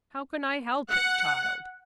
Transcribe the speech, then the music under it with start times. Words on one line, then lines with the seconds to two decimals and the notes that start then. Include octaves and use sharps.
How can I help it, child?
0.90 F#5